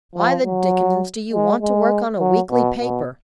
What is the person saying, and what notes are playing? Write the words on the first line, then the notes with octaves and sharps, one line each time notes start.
'Why the Dickenson do you want to work on a weekly paper?
F3
F#3
G#3
G#3
F#3
B2
B2